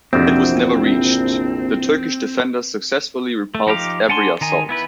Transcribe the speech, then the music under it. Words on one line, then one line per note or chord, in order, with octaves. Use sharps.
It was never reached; the Turkish defenders successfully repulsed every assault.
A#1 F2 C3 E3 C4 D4 F#4
A3
F3 D#4 G4 F5 D6
D4 F#5 G#5 A5 C6
D#3 D#4 G#5
B3 E4 B4